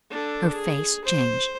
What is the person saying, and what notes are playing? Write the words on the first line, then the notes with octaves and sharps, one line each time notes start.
Her face changed.
D4 A4
G#4
C5